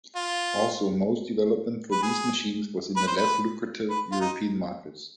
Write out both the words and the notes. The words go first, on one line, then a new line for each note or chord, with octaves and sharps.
Also, most development for these machines was in the less-lucrative European markets.
F4
B4
G#4
B4
C5
B4
B4
F4
D#4